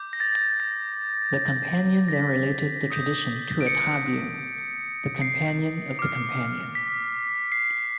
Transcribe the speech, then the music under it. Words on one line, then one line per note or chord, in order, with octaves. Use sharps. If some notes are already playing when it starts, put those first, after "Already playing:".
The companion then related the tradition to a Tabi'un, the companion of the companion.
Already playing: D6 G6
A#6
A6
A#6
A#6
B6
D#6 G6
D7
C#7
C7
D6 F6
B6
C7